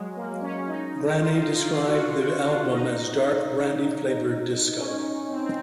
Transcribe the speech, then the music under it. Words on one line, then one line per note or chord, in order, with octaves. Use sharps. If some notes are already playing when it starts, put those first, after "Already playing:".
Graney described the album as "dark, brandy flavoured, disco".
Already playing: F#3 G#3
A#3
C#4
D#4
F4
D#4
F4
F4
F#4
F4
F#4
F4
D#4
C#4
C4
C4